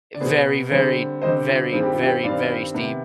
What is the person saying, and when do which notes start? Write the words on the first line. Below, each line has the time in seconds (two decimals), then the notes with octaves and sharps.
eh, very, very, very, very, very steep
0.14 D5
0.20 B2 B3 G#4 C5
0.71 D3 G3 C4 G#4 C5
1.22 D3 G3 C4 C5 D#5
1.48 F4
1.72 G2 D#3 G3 C4 G#4
1.83 G4
1.93 F4
2.03 G4
2.24 G2 D#3 G3 C4 D5 F5
2.75 C3 D#3 B3